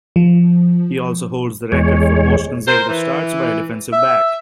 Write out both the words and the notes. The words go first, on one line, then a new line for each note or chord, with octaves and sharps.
He also holds the record for most consecutive starts by a defensive back.
F3
E2 G#3 C#5
A#4 C5
E3
E5